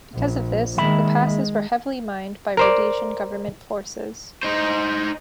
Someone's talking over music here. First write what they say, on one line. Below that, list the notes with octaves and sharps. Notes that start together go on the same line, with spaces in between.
Because of this, the passes were heavily mined by Rhodesian government forces.
A#1
D#2 D#3 G#3 E5 B5
G#3
A#4 C5 D5
D#4 C5